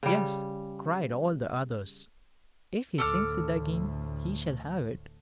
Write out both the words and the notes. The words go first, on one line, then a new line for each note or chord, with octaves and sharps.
"Yes," cried all the others, "if he sings it again, he shall have it."
C#3 G3
D2 A2 A4 D6 F6